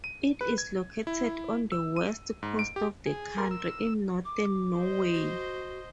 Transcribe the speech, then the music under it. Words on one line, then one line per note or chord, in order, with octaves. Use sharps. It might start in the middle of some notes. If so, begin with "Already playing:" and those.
It is located on the west coast of the country, in Northern Norway.
D#7
B4
G#6
E4
E6
D#7
G#2
D7
G4
G#4
A#4 A#5 C6
E6
D6
C5 D#5
F#4